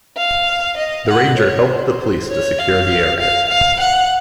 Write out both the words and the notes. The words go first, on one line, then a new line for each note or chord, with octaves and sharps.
The Ranger helped the police to secure the area.
F5
D#5
F#5
C#5
C5
C#5
F5
F5
F5
F#5